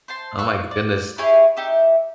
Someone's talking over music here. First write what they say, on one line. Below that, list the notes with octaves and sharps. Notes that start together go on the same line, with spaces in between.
Oh my goodness.
C5 A5 C6
F5 C#6 E6 F#6
D5
E4 G4 G#4 C#5
D#4 G4 E5